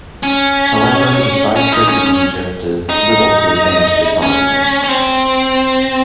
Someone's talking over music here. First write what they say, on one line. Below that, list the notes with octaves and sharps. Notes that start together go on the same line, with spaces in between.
However, the side trip to Egypt does little to advance this argument.
C#4
C#4
D#4
C#4
C#4
D#4
C#4
C#4
C4